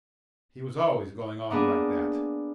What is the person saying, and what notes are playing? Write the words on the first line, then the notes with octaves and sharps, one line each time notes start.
He was always going on like that.
A#3 B3 D4 G#4